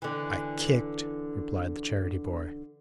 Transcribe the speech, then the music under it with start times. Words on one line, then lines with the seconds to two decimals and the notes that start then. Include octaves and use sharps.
'I kicked,' replied the charity-boy.
0.02 D3 E3